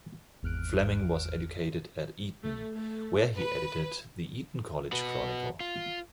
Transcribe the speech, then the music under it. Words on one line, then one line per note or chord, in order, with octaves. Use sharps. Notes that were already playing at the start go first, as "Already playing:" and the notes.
Fleming was educated at Eton, where he edited the "Eton College Chronicle".
G#1 E2 F6 F#6 D7
A3
A3
B4
F#4 B4
F4